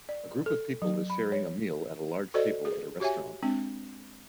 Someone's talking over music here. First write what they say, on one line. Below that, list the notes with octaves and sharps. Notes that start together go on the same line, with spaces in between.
A group of people is sharing a meal at a large table at a restaurant.
D5
A4
F#3
B5
C#5
F#4 A4 C5 D5 D#5
G#4
F#4 G4 C#5 E5 G#5
G#3 C4 D4